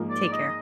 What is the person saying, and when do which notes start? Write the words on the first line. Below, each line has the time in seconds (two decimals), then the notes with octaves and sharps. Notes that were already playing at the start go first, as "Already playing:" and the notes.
Take care.
Already playing: G#2 F3 A#3
0.10 D5
0.32 D#5